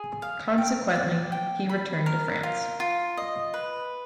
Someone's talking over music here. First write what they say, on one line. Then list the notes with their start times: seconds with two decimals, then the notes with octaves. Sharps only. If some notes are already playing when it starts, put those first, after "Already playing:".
Consequently, he returned to France.
Already playing: G#4
0.22 F5
0.58 G5
0.95 D5
1.32 G5
1.69 B5
2.06 A#4
2.43 F4
2.80 F4
3.17 D#5
3.54 B4